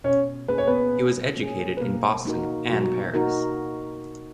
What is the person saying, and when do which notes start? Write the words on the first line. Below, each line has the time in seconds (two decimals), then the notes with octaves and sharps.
He was educated in Boston and Paris.
0.04 B2 C#4 C#5
0.48 A#3 C#4 G#4 B4
0.58 C#5
0.67 B3 B4
0.93 B2
1.37 A#3 C#4 G#4
1.77 B4
1.81 B2 A#3 A#4
2.25 A#3 D#4 F#4 A#4
2.69 B2 F#3 F#4
3.14 A#3 D#4 F#4 A#4